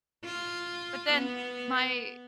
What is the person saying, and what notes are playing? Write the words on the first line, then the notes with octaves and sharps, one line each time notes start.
but then my
F4
B3